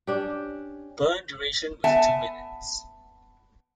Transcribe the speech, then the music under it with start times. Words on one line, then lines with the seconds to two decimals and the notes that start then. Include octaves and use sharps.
Burn duration was two minutes.
0.07 C#4 D4 G4
1.84 B3 E5 F#5 G#5 A5